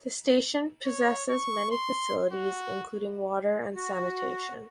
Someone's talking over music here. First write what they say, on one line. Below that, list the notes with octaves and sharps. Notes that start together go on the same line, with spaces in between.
The station possesses many facilities including water and sanitation.
C#5
C#6
C6
F#4
F#4